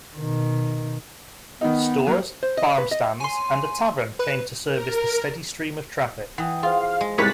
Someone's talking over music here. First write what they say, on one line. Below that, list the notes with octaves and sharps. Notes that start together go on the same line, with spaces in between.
Stores, farm stands, and a tavern came to service the steady stream of traffic.
B2 D#3
D#3 B3 D#4
F#3 A#3
C5
D#5
B4
D#5
C#5 G#5 C6
B4 B5 F#6
A#4
E3 F#5 G5 D#6
F4 G#4 C5 F5
G#3
C2 G#2 G3 B4 C#5 F#6 A6 B6